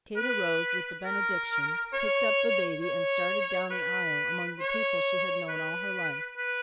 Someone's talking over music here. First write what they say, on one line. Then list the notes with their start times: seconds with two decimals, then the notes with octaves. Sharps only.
Kate arose with the benediction, picked up the baby, and started down the aisle among the people she had known all her life.
0.16 B4
1.05 A#4
1.93 C#5
2.82 C#5
3.71 B4
4.60 C#5
5.49 B4
6.37 B4